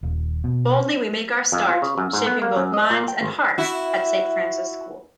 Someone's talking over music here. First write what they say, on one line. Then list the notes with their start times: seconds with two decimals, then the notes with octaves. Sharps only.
Boldly we make our start shaping both mind and hearts at Saint Francis School.
0.03 D#1
0.44 B2
1.52 F2
1.68 F4
1.82 C#3
1.98 F#2
2.13 G#2
2.26 B3
2.42 A#3
2.56 F#2
2.74 D#5
2.90 A#2
3.08 G5
3.21 G#1
3.58 E4 F#4